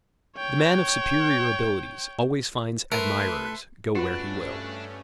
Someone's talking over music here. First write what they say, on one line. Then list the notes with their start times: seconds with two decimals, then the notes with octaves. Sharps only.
The man of superior abilities always finds admirers, go where he will.
0.37 C#5 G5
2.92 A3 A#4 B4 E5 C6
3.95 G2 A3 C#4 D4 F4 F#4 B4